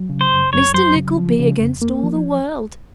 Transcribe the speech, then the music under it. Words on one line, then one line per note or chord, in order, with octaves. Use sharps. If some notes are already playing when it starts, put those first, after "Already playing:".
Mr Nickleby against all the world.
Already playing: F#3
C#3
C5
F#2
F#2 C#5
F#3 C5
C#3
F3
C#3
F2
A#3
F3